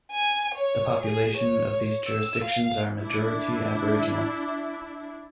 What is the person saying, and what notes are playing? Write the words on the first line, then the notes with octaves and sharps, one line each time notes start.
The population of these jurisdictions are majority aboriginal.
G#5
C#5
G#4
C#5
E6
F5
D4 E4